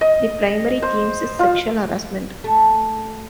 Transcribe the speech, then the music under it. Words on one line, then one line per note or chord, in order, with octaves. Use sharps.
The primary theme is sexual harassment.
D#5
C5
F4
A3